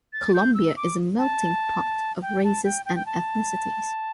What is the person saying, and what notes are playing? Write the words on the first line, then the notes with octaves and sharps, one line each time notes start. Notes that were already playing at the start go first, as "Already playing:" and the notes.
Colombia is a melting pot of races and ethnicities.
A6
G6
E6
D6
A5
G5
A5
G5
G5
G5
A5